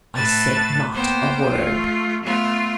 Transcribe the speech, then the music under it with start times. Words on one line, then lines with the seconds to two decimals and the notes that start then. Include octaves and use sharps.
I said not a word.
0.15 A2 B4 A5 A6
0.93 A#3 B3 C5 G5
1.51 A3 F4
2.23 A3 B3 F4